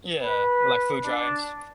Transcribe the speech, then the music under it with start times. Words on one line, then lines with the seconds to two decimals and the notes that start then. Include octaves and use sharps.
Yeah, like food drives.
0.21 B4
1.04 D4